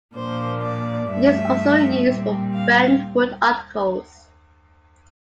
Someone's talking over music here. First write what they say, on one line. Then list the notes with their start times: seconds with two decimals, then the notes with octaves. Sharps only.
It is also used for bentwood articles.
0.15 A#2 F3 A#3 D4 C5
0.63 D5
1.11 G2 F3 A3 E5
2.07 A#2 G3 C4
2.55 F5